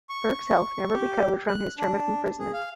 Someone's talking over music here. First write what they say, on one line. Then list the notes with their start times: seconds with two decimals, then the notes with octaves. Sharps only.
Burke's health never recovered from his term of imprisonment.
0.09 C#6
0.93 G4
1.48 F#6
1.78 D4
2.39 G#4
2.53 F5